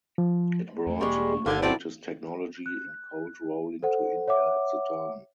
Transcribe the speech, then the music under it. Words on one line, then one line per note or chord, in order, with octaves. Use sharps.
It brought the latest technology in cold rolling to India at the time.
F3
E2 A3
E1 G3 G#3 A#3 C#6
G1 D3 F5 G#5
F3 F#3 A3 C4 E4 F#4 D5
F#6
A4 C5 F#5
C#5 E5 F#5 D6